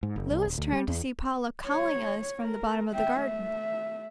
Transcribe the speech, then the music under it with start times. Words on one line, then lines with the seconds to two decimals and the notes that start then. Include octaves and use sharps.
Louis turned to see Paula calling us from the bottom of the garden.
0.03 G#2
0.16 F#1
0.31 C2
0.45 D#1
0.58 D2
0.73 G3
0.88 E2
1.66 C#5
2.41 A#4
2.92 E5 G5
3.21 A3 E5